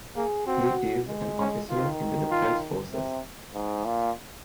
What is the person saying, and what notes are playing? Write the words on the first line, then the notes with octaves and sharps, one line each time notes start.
He is an officer in the Defence Forces.
A#3 G#4
C4 F#4
G#3
C#4
D#3 F4
F4
C3
G#2
A#2